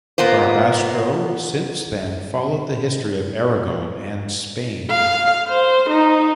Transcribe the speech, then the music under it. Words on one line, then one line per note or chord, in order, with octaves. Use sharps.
Barbastro since then followed the history of Aragon and Spain.
A#3 B3 F4 C5
F5
C5
D#4